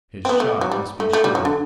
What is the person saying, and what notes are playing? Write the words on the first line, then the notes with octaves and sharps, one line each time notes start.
His shot must be sure.
C4
B3
A3
F#3
G3
A3
A3
G3
F#3
D3